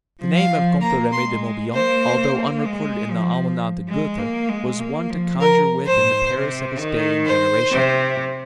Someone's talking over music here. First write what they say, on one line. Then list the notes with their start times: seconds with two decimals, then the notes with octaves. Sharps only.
The name of Comte Remy de Morbihan, although unrecorded in the Almanach de Gotha, was one to conjure with in the Paris of his day and generation.
0.20 F3
0.36 F5
0.51 F3
0.81 A#3 A#5
1.12 C6
1.27 G#3
1.73 A#3 C5
2.65 G#3
3.11 F3
3.88 G#3
4.18 A#3
4.49 G#3
4.80 A#3
5.10 F3
5.40 A#4
5.86 G#2 C5
6.33 C3
6.79 D#3
7.25 C5
7.71 C3